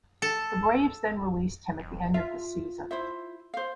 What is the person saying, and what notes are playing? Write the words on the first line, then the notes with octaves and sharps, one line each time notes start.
The Braves then released him at the end of the season.
A4
E1
F4 E5
E4 C5 E5
C5 F5